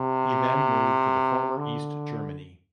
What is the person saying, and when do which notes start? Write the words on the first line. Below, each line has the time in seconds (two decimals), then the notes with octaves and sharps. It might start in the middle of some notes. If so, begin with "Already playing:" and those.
He then moved to the former East Germany.
Already playing: C3
1.58 D3